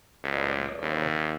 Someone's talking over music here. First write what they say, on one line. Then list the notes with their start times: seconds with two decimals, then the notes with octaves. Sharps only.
Oh, no.
0.24 C#2
0.82 D#2